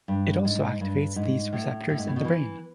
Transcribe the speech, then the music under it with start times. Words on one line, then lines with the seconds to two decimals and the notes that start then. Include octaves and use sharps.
It also activates these receptors in the brain.
0.08 G2
0.45 G#2
0.81 G2
1.16 G#2
1.53 A2
1.89 A2
1.98 G#2
2.07 A2
2.16 B2
2.24 E3